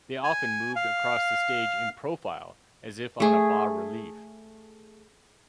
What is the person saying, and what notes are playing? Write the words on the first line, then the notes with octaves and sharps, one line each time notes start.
They often moved across the stage in "profile" as if on a bas relief.
G#5
F5
A3 G#4